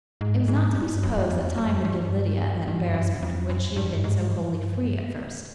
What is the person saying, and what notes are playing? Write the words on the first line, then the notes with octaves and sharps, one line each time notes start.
It was not to be supposed that time would give Lydia that embarrassment from which she had been so wholly free at first.
G#2
G#2
G2
F#2
F2
F#2
G2
G2
F#2
F2
F#2
G2
G#2
G2
G#2
G2